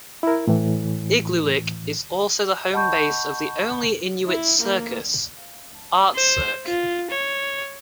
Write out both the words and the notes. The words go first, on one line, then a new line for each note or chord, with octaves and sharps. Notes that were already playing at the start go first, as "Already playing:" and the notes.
Igloolik is also the home-base of the only Inuit circus, Artcirq.
E4 A#4
A2 E3
D#5 F#5 A5 B5 C#6 G6
E4
A#3
C5
F4
C#5